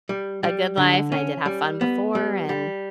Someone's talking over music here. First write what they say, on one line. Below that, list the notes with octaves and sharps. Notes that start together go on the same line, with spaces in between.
a good life, and I did have fun before. And
G3
G3
D3
C#4
G3
B3
G3
G3